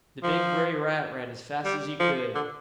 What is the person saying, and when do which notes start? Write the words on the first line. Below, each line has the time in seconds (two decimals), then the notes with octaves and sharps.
The big grey rat ran as fast as he could.
0.23 F3
1.65 G3
2.00 F3
2.35 D3